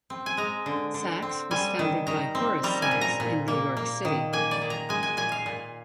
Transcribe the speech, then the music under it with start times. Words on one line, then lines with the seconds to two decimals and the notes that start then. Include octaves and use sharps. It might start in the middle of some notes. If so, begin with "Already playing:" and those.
Saks was founded by Horace Saks in New York City.
0.10 C4
0.26 G#5
0.37 G#3 A#5
0.66 D3
0.94 D3
1.22 C4
1.51 G3 G#5
1.79 D#3
2.07 D#3 A#5
2.35 C4
2.63 G3 A#5
2.82 G#5
2.91 A#2
3.01 A#5
3.20 A#2
3.48 A#3
3.77 A#3
4.05 D#3
4.33 A#3 G#5
4.51 D5
4.61 D#3
4.70 A#5
4.89 G#3 G#5
5.03 G#5
5.17 A#2 G#5
5.32 F5
5.46 A#2